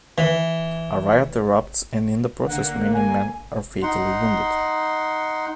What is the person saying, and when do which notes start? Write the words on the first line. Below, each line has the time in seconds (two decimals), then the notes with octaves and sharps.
A riot erupts and in the process many men are fatally wounded.
0.18 E3
2.47 D3 A#3 F#5
2.94 G#5
3.83 D#4 F#5 C6